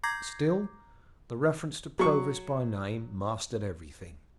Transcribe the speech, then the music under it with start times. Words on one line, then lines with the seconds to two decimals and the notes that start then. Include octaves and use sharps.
Still, the reference to Provis by name mastered everything.
0.04 A#5 D6 G6 G#6 A#6 C7
1.99 F#3 C#6